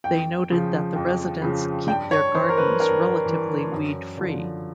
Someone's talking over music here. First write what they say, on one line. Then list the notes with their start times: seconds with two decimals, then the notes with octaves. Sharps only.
They noted that the residents keep their gardens relatively weed-free.
0.04 F2 G5
0.50 C#3 F3
0.96 F2
1.42 C#3 F3
1.88 G2 G5
2.11 C#5
2.33 E3 C5
2.49 A#4
2.57 B4
2.80 G2 A#4
3.26 E3
3.72 F#2
4.17 D3 F3